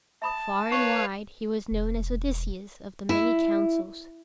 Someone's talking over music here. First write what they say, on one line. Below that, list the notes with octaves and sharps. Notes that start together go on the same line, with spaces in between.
Far and wide he was known as Odysseus of the many counsels.
E5 A5 B5 D#6
D#4 B4 C#5 F5 C#6
E1
E4